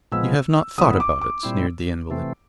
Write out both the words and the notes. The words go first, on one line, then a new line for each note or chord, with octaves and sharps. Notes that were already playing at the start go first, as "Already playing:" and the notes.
'You have not thought about it!' sneered the invalid.
A#2 F3 G#3 B3 E6
D3 F#3 B3 E4 D#6
D6
D6
A#2 G3 C4 E4
C3 E3 A3 C4